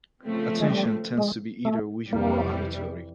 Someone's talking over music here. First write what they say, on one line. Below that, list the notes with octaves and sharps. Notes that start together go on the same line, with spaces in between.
Attention tends to be either visual or auditory.
C#3 F3 A3 C4
G#3
G3
G#3
A3
F2 C3 E3 G3 A#3